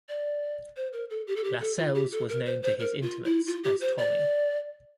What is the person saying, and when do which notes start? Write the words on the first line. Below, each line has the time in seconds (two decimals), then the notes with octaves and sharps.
Lascelles was known to his intimates as "Tommy".
0.09 D5
0.77 C5
0.93 A#4
1.10 A4
1.27 G4
1.36 A4
1.44 G4
1.61 A4
1.78 F4
1.95 G4
2.12 A4
2.29 A#4
2.46 C5
2.63 C5
2.80 A#4
3.02 F4
3.25 E4
3.47 F4
3.64 G4
3.81 C5
3.98 D5